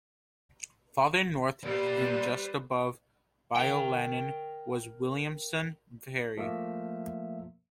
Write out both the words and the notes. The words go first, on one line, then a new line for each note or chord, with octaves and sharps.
Farther north, and just above Bayou Lanan, was Williamson Ferry.
G3 A#3 B4 C5 D5
A#4 G5
F3 A3 A#3 E5